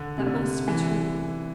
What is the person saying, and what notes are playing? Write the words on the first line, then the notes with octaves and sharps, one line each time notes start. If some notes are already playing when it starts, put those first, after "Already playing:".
That must be true.
Already playing: D3
C3
D3
E3